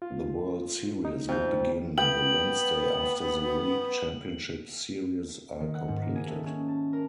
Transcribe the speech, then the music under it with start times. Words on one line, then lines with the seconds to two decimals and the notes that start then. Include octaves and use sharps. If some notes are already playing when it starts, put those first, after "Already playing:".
The World Series would begin the Wednesday after the League Championship Series are completed.
0.02 F4
1.05 D#4
1.29 F2 G6
1.98 B3 G5 F#7
5.60 D#3
5.74 F#5
5.88 G#2
6.02 A#3
6.15 G#4
6.28 A3
6.46 C#4
6.68 A5
6.93 A#4